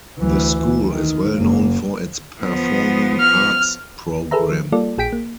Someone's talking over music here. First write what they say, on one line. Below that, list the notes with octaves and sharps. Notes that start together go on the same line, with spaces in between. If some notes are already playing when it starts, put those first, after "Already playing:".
The school is well known for its performing arts program.
D2 E3
D#3
F#1 A#3
F3 B3
F6
G#4 A4 B4 E5 A#5
F3
G3 A#3 F4 A4 D5
A#1 G#4 G5 B6 D7
A#3